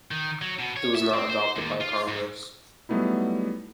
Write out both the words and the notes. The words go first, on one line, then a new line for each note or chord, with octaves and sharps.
It was not adopted by Congress.
D#3
F#3
B2
C#5
E5
C4
C5
D#2
F4
G#2
F#3 G3 A3 B3 D#4 E4